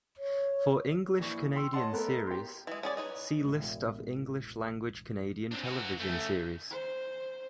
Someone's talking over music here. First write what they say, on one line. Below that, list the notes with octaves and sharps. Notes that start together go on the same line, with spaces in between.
For English Canadian series, see List of English-language Canadian television series.
C#5
A#1 E3 C#6
G5 C6 E6
C#5 D#5 F#5 A5 C6
A3 B3 A4 A#4
G4 C6
E3 G#3
C#4 G#4 D5
D#4 B4 C#5
E1 A1
C4 D4
E3 F#4
C#3 A3
C5